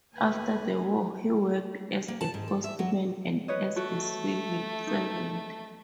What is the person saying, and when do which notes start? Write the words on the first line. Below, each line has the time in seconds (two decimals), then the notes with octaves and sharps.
After the war he worked as a postman and as a civil servant.
0.15 D#2 B4 G#5
2.08 A#3
2.21 A5
2.34 G#2
2.48 A4
2.64 E5
2.79 F#3
3.48 B4 C#5 D#5
3.76 A3 F#4
4.87 D#4